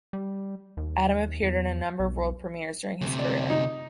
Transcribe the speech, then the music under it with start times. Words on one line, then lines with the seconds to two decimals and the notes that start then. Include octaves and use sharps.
Adam appeared in a number of world premieres during his career.
0.13 G3
0.77 D#2
1.43 E2
2.00 B1
3.02 D2 C3
3.19 D5
3.50 D#4